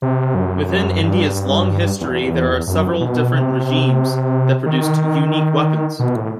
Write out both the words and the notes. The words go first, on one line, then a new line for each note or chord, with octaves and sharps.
Within India's long history there are several different regimes that produced unique weapons.
C3
F#2
F#2
G2
E2
F#2
B2
C3
D#3
B2
A2